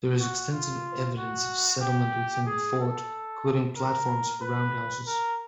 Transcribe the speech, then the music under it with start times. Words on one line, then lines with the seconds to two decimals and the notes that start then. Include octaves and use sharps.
There is extensive evidence of settlement within the fort, including platforms for roundhouses.
0.19 F#4
0.51 F4
1.17 F#4
1.81 G4
2.46 G#4
2.79 A4
3.76 A#4
4.41 B4
5.06 A#4